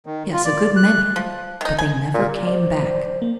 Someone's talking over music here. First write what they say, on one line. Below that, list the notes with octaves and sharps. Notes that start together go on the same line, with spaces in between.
Yes--a good many--but they never came back.
D#3
F4
D5
F#6
F3
D#3 D#4
G#5
A#2
C5 D5
A#3